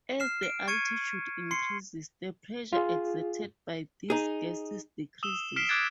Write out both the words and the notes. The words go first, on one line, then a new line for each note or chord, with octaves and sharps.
As the altitude increases, the pressure exerted by these gases decreases.
F6 C7 E7
D7
C#6 G#6 C#7 D#7
C6 C7 C#7
F4 G#4
D#4 G#4
D#6 E6 E7 G7
F6 B6 C7 D7 E7 G7
D6 F#6 G#6 A6 D7